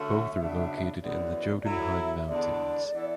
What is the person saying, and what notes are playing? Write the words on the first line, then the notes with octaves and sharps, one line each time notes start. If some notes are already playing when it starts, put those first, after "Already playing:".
Both are located in the Jotunheim mountains.
Already playing: D3 A3 C#4 F#4 E5
C#3 F#3 B3 D4
F#2 E3 G#3 B3 D5
D5
F#3 A3 E4 E5
E5
E2 D3 G#3 B3 D4 D5
E3 B3 E4 A4